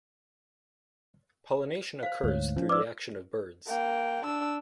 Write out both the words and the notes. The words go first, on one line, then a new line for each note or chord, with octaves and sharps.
Pollination occurs through the action of birds.
C5 F5
D2 G#2 C5 C#5
F3 C#4
B4 D5 D6 E6
A#3 G5
D4 E6